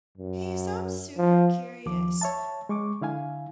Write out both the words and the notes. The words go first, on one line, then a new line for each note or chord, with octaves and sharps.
Hey, so I'm super curious.
F#2
F3
D#2 F3 D6
C#5 E5 A5
G#3 C#6 D6
D3 E4 F5 G#5